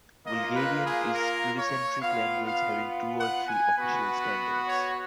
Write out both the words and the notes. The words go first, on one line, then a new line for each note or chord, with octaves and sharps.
Bulgarian is pluricentric language having two or three official standards.
A#3 F4 D#5
B4
G#4
A#4
C#5
B3 F4 F5
F5
F#5
G#5
B3 F#4 B4
C#5